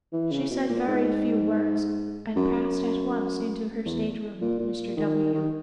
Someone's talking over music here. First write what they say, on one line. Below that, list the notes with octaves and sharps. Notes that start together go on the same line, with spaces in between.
She said very few words, and passed at once into her state-room with Mr. W.
E3
C#3
B2
A#2
G#2
F#2
E2
A#2
A#2
D#3
D#3